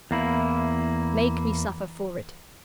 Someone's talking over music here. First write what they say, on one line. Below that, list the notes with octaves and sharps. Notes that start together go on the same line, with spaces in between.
Make me suffer for it.
E2 A#3 E4